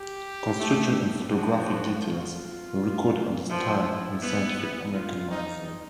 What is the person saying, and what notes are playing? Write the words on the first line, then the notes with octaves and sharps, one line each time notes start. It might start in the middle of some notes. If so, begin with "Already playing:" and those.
Construction and photographic details were recorded at the time in Scientific American magazine.
Already playing: G4
A3
F3 F#4
F4
F3 E4
B3
F4
D#4